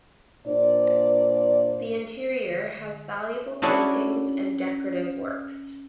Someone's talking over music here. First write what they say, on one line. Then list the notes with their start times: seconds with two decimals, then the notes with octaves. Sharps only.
The interior has valuable paintings and decorative works.
0.46 A#2 D4 C5 D5
3.62 C#4 D4 E4 F#4 G#4 C#5